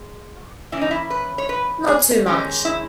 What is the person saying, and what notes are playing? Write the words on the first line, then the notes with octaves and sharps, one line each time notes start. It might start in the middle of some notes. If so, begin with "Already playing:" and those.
Not too much.
Already playing: G#3
E3 A#3 C#4 E4
D#4
E4
B4
C#5
B4
G#4
D#3 G#3 C#4 G4
E4